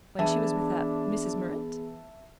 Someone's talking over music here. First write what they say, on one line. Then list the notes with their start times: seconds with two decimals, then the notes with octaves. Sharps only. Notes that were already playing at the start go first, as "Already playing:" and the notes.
"When she was with a Mrs. Murrett?"
0.19 E3 B3 D4 G#4 E5 A5